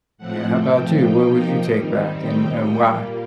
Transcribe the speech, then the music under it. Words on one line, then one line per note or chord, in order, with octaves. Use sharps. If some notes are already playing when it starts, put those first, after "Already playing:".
Yeah, how about you? What would you take back and and why?
A2 F3 A3 C4 F#5
G5
F3 A#3 D#4
D#3 G3 C4 D#4
G5
A#2 G3 A#3 G5